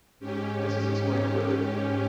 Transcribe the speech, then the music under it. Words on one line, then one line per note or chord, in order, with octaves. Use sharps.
This is explained further here.
G#2 C#4 G4